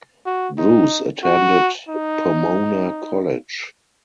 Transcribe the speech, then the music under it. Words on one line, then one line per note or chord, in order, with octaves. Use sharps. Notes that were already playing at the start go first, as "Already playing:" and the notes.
Bruce attended Pomona College.
F#4
D#4
F#4
D#4